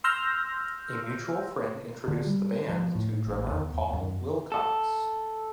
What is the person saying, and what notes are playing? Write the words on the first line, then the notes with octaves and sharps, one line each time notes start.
A mutual friend introduced the band to drummer Paul Wilcox.
C6 E6 F6 G6 A#6
D3
G3
F3
A2
A1
E2
E2
F#2
A4